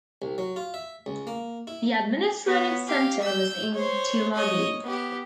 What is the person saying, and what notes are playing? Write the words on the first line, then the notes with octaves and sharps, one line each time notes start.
The administrative centre was in Tulagi.
C2
F#3
F4
E5
C#2
A#3
E4
B3 C#5
G4 F5
E6 G6
C5 C#5
C#5 D#5
B3 G4